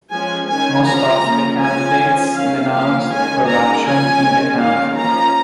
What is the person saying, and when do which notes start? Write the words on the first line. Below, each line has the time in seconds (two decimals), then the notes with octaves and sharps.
Most of the candidates denounced corruption in the country.
0.10 F3 G#3 C#4 G#5
0.48 D#3 G#3 C#4 G#5
0.85 F3 G#3 C#4 A#5
1.22 F3 A#3 C#4
1.60 F3 G#3 C#4 G#5
1.98 F3 C#4
2.34 D#3 C#4 F5
2.72 F3 A#3 C#4 F5
3.10 D#3 G#3 C#4 G#5
3.47 D#3 G#3 C#4 A#5
3.84 F3 G#3 C#4 G#5
4.22 D#3 G#3 C#4
4.59 D#3 G#3 C#4 F5
4.96 F3 A#3 C#4 A#5